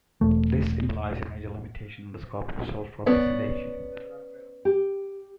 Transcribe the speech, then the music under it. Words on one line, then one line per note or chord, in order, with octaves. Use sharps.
This implies a major limitation on the scope of self-representation.
E1 A3
B3 C#4 D5
G4